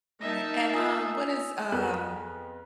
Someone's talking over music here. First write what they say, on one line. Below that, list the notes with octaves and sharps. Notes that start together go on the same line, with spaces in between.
Right. And, um, what is um
A#3 D#4 E5 A5 A#6
F4 G#5 A#5 D#6 E6 C7
F2 B3 G#4 A#4 F#6